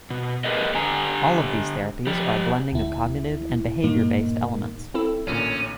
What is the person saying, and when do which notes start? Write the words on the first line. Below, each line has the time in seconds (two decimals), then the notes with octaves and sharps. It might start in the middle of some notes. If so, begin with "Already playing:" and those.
All of these therapies are a blending of cognitive- and behavior-based elements.
0.10 B2
0.44 G4 G#4 A#4 B4 D#5
0.75 D3 G4 G#5 A#5
2.07 F3 G4
2.72 D2 E4
3.84 G2 A#2 A#3 D#4
4.94 C4 E4 A4
5.27 A1 A#2 D3 C#4